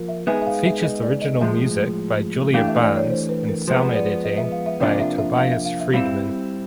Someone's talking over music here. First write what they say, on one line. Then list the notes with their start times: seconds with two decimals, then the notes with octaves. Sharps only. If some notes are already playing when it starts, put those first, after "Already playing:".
It features original music by Julia Barnes and sound editing by Tobias Friedman.
Already playing: F3 A#3
0.08 E5
0.27 G#3 B3 D#4 G#4 E5
0.42 E5
0.47 F5
0.66 E5
0.83 D#5
1.03 D5
1.22 D#5
1.41 A2 F3 G#3 E5
2.54 E3 A3 D4 G4 F5
2.68 E5
2.83 D5
2.96 C#5
3.10 C5
3.29 B4
3.48 A#4
3.68 F3 G#3 B3 C5
3.95 D5
4.24 D#5
4.38 E5
4.52 F5
4.66 E5
4.80 C3 F3 A#3 D4 F4 D5
5.00 E5
5.18 E5
5.38 F5
5.52 E5
5.65 F5
5.80 E5
5.94 G3 C4 E4 F5